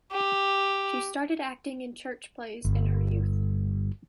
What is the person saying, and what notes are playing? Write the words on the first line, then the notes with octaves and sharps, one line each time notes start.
She started acting in church plays in her youth.
G4
G1